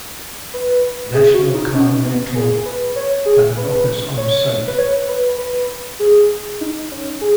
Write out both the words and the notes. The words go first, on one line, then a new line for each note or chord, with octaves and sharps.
National Car Rental have an office onsite.
B4
G#4
F#4
D#4
C#4
B3
G#4
B4
C#5
G#4
B4
C#5
B4
C#5
B4
B4
G#4
D#4
C#4
G#4